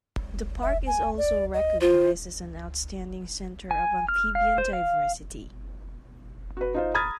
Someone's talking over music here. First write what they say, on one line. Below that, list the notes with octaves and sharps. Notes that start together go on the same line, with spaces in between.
The park is also recognised as an outstanding centre of amphibian diversity.
E5
G#5
D5
D#5
F4 C5
G#5
F6
F5
C5
F5
F#4 B4
D#4 F4 C5
A#5 B5 D#6 F6 G#6 A6